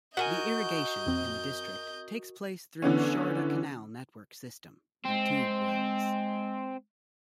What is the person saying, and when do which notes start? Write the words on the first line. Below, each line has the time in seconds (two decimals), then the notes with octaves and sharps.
The irrigation in the district takes place through Sharda Canal network system and tubewells.
0.17 F#4 A#4 D#5 G#5 G6
1.06 F2 C4
2.82 D3 E3 B3 C#4
5.05 G#3 C4